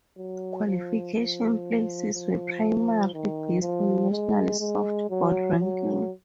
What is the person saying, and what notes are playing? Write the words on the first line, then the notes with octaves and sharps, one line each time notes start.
Qualification places were primarily based on national softball ranking.
F#3
F3
F3
F3
D#3
F3
G#3
G#3
F#3
F#3